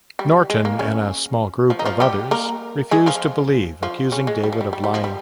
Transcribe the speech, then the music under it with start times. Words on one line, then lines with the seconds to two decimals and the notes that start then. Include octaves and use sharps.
Norton and a small group of others refuse to believe, accusing David of lying.
0.19 G3
0.50 G#3
0.65 A#3
0.79 C#3 C#4
1.70 F3 F4
1.79 D#4
1.85 F3 F4
2.00 G3 G4
2.31 A#3 A#4
2.91 G#3 G#4
3.06 F3 F4
3.83 F3 F4
4.12 C#3 C#4
4.27 G#3
4.44 G3
4.53 F3
4.61 G3
4.73 G3
4.84 G3
4.94 F3
5.04 G3